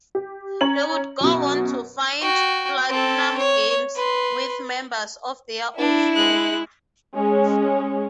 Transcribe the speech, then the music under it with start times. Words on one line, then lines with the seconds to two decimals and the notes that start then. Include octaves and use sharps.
They would go on to found PlatinumGames with members of their old studio.
0.15 G4
0.61 C#4 C#5 A#5 F#7
1.20 F#2 B2
2.21 F#4 G5
2.89 C4 A4
3.37 C#5
3.95 B4 C6
5.78 D4 E4
6.15 G#3 F#6
7.14 G#3 C#4